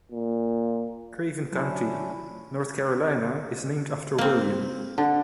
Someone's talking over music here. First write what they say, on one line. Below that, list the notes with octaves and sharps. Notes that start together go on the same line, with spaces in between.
Craven County, North Carolina is named after William.
A#2
F#3 C#4 D4 E4
A#3 C4
D3